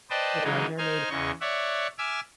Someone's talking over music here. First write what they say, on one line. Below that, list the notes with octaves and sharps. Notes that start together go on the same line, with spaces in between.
you know, I've never made
B4 C5 D5 D#5 G5 A5
C#3 E3 F#3 G#3 D#4
D#4 C5 G#5 F6
E2 C#3 D#5 C#6
C#5 D5 E5 F#5
E5 G#5 D6 E6 F6